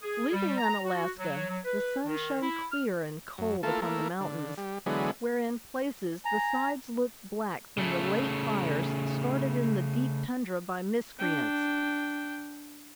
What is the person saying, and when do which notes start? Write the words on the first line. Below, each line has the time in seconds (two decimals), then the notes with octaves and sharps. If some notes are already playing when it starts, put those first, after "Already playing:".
Leaving Unalaska the sun shone clear and cold upon the mountains where in places the sides looked black from the late fires started in the deep tundra by miscreants.
0.02 G#4
0.33 G3
0.58 A#5
0.85 F#4
1.18 F#3
1.49 F#3
1.65 B4
2.05 D#3
2.41 E4
2.72 F6
3.38 F#2
3.63 A3 A#3 E4 F4 A4
3.82 A3 A#3 E4
4.21 D3
4.58 G3
4.86 D3 E3 F#3 G#3 B3
6.25 G#5 A#5
7.78 C#3 A3
11.19 D4 G5